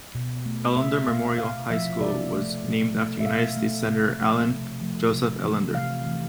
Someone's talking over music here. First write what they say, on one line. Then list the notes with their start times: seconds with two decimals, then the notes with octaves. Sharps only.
Ellender Memorial High School was named after United States Senator Allen Joseph Ellender.
0.15 B2
0.46 A3
0.76 B2 E5
1.08 A3 F5
1.38 C3 F5
1.70 F3 A3 E5
2.01 C3 D5
2.32 F3 A3
2.64 B2
2.95 A3
3.20 E5
3.25 B2 F5
3.56 A3
3.88 C3
4.19 F3 A3
4.51 C3
4.82 F3 A3
5.13 C3
5.44 E3 A3
5.75 C3 F5
6.06 E3 A3